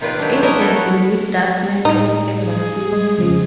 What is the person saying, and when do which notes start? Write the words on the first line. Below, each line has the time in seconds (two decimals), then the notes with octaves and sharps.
It has been with that network ever since.
0.01 C3 D#3 F4 B4 D5
0.19 F#3 D4 E4 G4
0.31 C#4
0.43 D4 D#4 A#4 B4 D#5 E5
0.61 E4 A4
0.74 F#4 C#5
1.85 A2 D#4
2.41 G#4
2.93 G#3
3.19 F2 C#3 F3